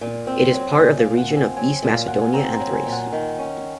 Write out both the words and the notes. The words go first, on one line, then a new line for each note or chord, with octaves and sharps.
It is part of the Region of East Macedonia and Thrace.
A#2
C4
F#3
A#2 G#5
F5
A#2
F#5
C4
G#5
F#3 G#5
A#2
F5
A#2 F#5
G#5
C4 A#5
A#5
F#3
G#5
A#2
F#5
D#3
C#4